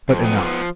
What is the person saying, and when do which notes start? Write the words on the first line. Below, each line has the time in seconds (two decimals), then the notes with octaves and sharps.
But enough....
0.09 F2
0.24 B3
0.39 F3